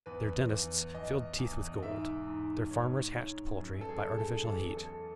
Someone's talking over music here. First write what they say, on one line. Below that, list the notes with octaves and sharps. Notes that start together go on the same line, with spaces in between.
Their dentists filled teeth with gold; their farmers hatched poultry by artificial heat.
E2 B4
E2
E2 D#5
E2
G#2 E5
G#2
G#2 C#5
G#2
F#2
A4
G#4
F#2
A4
E2 A4
A4